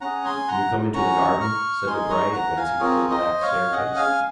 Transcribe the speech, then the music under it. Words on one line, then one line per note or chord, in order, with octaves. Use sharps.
"Will you come into the garden?" said Debray, advancing towards the back staircase.
C#4 G#4 F#5 A#5
G#5 C6
F#5 A#5
C#4 F#4 A#5 C#6
C#6 F6
G#3 D#4 G#4 G#5 C6
A#5 C#6
F#5 A#5
F5 G#5
C4 F4 G#4 A#4 C#5
C5 D#5
C#5 F5
C#4 G#4 D#5 F#5
F5 G#5